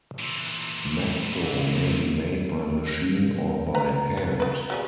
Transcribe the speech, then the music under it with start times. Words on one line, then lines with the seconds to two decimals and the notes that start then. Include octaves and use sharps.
Matzo may be made by machine or by hand.
0.19 A#2 E3
3.75 B4 A#5
4.17 B3
4.40 B3 B4
4.70 F#3 G3 G#4